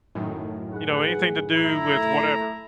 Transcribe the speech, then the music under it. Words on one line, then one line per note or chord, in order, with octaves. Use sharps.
you know, “Anything to do with whatever,
F#2 A2 D#3
G#4 B4 F#5
E4 A#5
A3